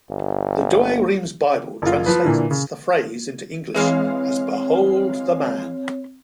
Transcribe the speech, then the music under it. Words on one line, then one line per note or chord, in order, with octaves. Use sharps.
The Douay-Rheims Bible translates the phrase into English as Behold the man!
G1
F#1 F4
F3 B4
A#2 D3 E3
C#3
E3 G#3 C4 C#5 F5